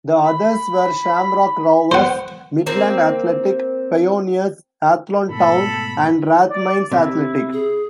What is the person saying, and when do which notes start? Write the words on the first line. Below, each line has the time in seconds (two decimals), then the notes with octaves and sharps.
The others were Shamrock Rovers, Midland Athletic, Pioneers, Athlone Town and Rathmines Athletic.
0.24 B5
1.92 C5 F#5
2.66 A#3 C4
5.28 G#2 B2 A3 A4 B5
6.49 D5
6.91 C3 E4
7.53 G#4